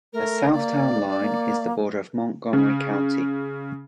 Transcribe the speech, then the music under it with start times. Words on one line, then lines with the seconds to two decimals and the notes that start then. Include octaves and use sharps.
The south town line is the border of Montgomery County.
0.13 A3 A#4
0.52 A#3 D5
1.20 A#3
2.53 C#3